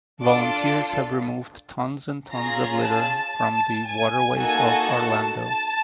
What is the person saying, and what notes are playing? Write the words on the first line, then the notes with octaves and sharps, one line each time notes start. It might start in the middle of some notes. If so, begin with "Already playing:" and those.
Volunteers have removed tons and tons of litter from the waterways of Orlando.
D4 F4 A4 D6
C#4 F4 G#4 A#5
A5
A5
G#5
A#3 D#4 F#4 A4 G#5
A5
A5